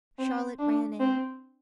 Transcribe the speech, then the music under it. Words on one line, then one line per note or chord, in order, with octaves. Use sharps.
Charlotte ran in.
C4
D4
C4